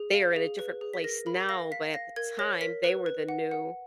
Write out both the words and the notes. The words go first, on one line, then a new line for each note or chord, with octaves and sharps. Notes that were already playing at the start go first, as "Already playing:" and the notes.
They are in a different place now, but at the time they were the new
Already playing: G#4
F5
G#4
B4
G#4
B6
A#4 A#6
A#4 B5
F5 A#6
F5 B6
F5 A#6
A#4 G#6
C#5 A#6
A#4 B6
B4
B4
F#5
F#5